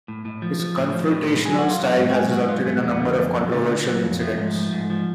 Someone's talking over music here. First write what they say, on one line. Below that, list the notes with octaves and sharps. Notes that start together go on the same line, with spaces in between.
His confrontational style has resulted in a number of controversial incidents.
A2
A2
F3
F3
A2
F3
A2
A2
F#3 G#4
F#3 F#4
F4
F#3 F#4
G#2
F#4
F#3 G#4
G#2 F#4
F#3 F4
G#2 A3
F2 G#3
B3
D3 A3
F2 A3
F#3
D3 A3
D3
F#3
F2
F3 A3
G#2
F3
G#2
F3